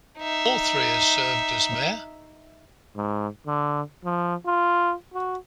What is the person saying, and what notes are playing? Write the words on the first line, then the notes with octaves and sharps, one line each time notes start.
All three have served as Mayor.
D#4 E5
G#2
D3
F3
F4
F#4